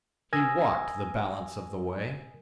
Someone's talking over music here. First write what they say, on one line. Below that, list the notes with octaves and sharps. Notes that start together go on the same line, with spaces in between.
He walked the balance of the way.
A#4 G#5 D#6 E6 G#6 A#6